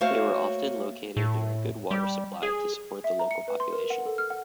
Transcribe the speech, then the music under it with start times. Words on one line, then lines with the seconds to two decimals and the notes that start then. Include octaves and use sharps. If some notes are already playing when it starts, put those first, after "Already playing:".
They were often located near a good water supply to support the local population.
0.01 A3 A#3 F#4 C5 C#5 F5
1.17 A2
1.91 G3
2.43 G#4
3.04 E5
3.19 A#5
3.31 C#7
3.48 B4
3.60 C6
3.72 A#4
3.90 F#5
4.06 A4
4.18 F6
4.30 F#5